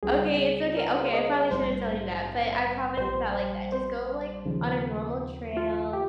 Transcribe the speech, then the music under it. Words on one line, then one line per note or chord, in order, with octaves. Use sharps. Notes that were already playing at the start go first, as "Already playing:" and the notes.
Okay, it's okay. Okay, I probably shouldn't tell you that, but I promise it's not like that, just go, like, on a normal trail
C#2 C#3 G3 C4 F4 G#4
A#4
C5
D#5
C#5
A#1 G#2 G3 C4 C5
A#1 A#2 G3 C5
C5
D#2 C#3 F3
F4
G4